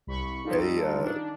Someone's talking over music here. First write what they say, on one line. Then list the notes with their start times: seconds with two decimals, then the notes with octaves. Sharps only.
a, uh
0.07 C2 B5 C#6
0.44 G3 D#4 F4 A4
1.00 D#3 D4